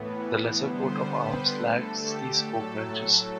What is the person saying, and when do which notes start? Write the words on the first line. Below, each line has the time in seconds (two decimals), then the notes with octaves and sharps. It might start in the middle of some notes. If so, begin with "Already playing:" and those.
The lesser coat of arms lacks these oak branches.
Already playing: A2 E3 B3
0.62 D3 G3 B3 C5
1.07 B4
1.51 D3 A3 A4
1.98 G4
2.42 A2 F#3 A3 A4